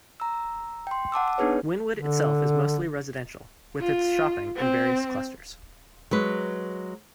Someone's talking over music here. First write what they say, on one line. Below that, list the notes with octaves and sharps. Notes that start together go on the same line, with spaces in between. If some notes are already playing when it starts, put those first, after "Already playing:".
Wynnewood itself is mostly residential, with its shopping in various clusters.
A#5 E6
G5 C6
F#5 A5 D6 E6
B3 D4 D#4 G#4 B4 C#5
D3
F4
C4
F#3 G#3 B4